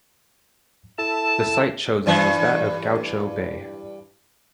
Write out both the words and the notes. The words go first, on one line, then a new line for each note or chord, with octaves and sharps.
The site chosen was that of Gaucho Bay.
E4 A4 A5
G2 E3 D4